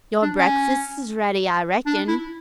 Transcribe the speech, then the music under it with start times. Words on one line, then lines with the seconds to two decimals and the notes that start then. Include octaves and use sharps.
Your breakfast's ready, I reckon.
0.22 D4
0.39 C#4
1.86 D4
2.08 E4